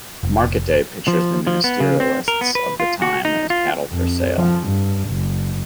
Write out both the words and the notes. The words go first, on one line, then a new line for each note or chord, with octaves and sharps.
"Market-Day" pictures the ministerialists of the time as cattle for sale.
F1
F3
F3
B3
C#3
C4
A#4
B3
B4
F4
F#4
D#4
F4
F2
F3
G2
F#1